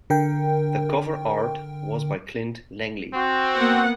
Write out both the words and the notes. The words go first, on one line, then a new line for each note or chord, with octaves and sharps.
The cover art was by Clint Langley.
D3 A#4 G5
C4 F#4
A#3 B3 F#5